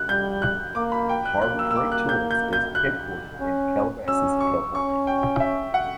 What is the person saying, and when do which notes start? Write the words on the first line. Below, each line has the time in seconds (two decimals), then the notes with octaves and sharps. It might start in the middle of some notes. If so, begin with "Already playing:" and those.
Harbor Freight Tools is headquartered in Calabasas, California.
Already playing: F#6
0.09 G3 G6
0.42 F#6
0.75 A#3 D6
0.92 B5
1.09 G5
1.25 F#6
1.42 A#3 F#6
1.59 E6
1.71 E6
1.76 D6
1.92 F#6
2.09 G6
2.31 G6
2.53 G6
2.75 F#6
3.41 C#4
4.07 C#4 E6
4.40 C#6
4.74 C#4 C#6
5.07 G5
5.40 E5
5.74 F#5